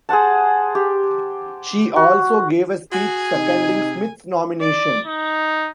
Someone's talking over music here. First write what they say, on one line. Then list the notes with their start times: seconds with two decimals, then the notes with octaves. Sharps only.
She also gave a speech seconding Smith's nomination.
0.09 G#4 C5 F#5 A5
0.75 G4
1.96 F#4
2.92 F#4 G#4 G#5
3.33 C3 D#4
4.61 D5
5.06 D#4